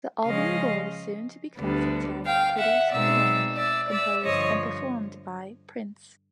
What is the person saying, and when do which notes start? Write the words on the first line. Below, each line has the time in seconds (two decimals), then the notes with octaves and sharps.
The album bore the soon-to-be classic tag "produced, arranged, composed, and performed by Prince".
0.24 C#3 F3 G#3 C#4 D#5 F5
1.58 D2 D3 G3 B3 D4
2.25 F5 G5
2.57 E5 F#5
2.90 B2 G#3 C4 D#4 D5 E5
3.57 D5 E5
3.90 D5 E5
4.24 G2 D3 F3 C#5 D#5